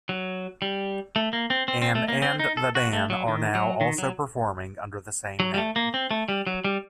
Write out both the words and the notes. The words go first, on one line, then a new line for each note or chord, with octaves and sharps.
An and the band are now also performing under the same name.
F#3
G3
A3
A#3
C4
C4
C4
A3
A#3
C4
D#4
A4
F#4
A3
F#3
D#3
F#3
D#3
F#3
F#3
G3
A3
A#3
C4
A3
G3
F#3
G3